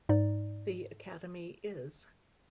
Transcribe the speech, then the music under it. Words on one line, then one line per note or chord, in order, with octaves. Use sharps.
The Academy Is...
G#2 D#4 D5